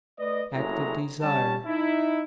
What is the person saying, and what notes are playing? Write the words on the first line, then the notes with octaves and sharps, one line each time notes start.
Act of Desire.
A3 B4 D5 D#5
F#1 C2 A2 F#3 G#3 A#5
G3 C#4 A5
D#4 E4